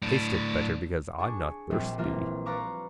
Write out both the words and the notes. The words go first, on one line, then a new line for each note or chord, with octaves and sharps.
Taste it better because I'm not thirsty.
A2 D4
D4 G#4 C#6
A#1 G3 C4
E3 G3 A#3 F4
B4 D5 F5 A#5 C#6 D6